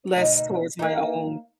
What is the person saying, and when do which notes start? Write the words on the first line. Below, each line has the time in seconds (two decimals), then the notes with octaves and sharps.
less towards my own
0.15 D2 B2 D#4
0.79 A#3 D#4